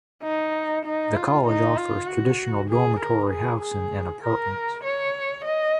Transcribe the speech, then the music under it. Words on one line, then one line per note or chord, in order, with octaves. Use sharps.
The college offers traditional dormitory housing and apartments.
D#4
D#4
F4
D#4
F4
F#4
G#4
A#4
G#4
G#4
A#4
C#5
D#5